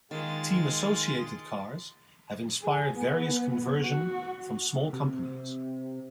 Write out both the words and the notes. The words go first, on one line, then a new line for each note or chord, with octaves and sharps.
Team Associated cars have inspired various conversion from small companies.
D#3 G#3 F4 A#4 A6
G#4
B3
F#4
C3